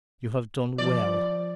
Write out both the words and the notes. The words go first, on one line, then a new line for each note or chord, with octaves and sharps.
You have done well!
F3 D5